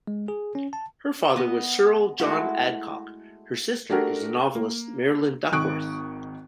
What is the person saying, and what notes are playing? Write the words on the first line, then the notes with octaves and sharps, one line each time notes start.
Her father was Cyril John Adcock, her sister is the novelist Marilyn Duckworth.
G#3
G#4
C#4
A5
B3 D#5
G#3 A3 E4 F#4
A3 D4 F#4 G4 A#4
A#3
G#1 D#3 C#6 D#6 F#6 D7